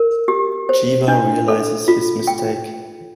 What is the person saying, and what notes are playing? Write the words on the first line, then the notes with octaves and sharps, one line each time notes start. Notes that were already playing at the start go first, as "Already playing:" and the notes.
Jeeva realises his mistake.
Already playing: A#4
G4
C5
D4
A4
F4
G5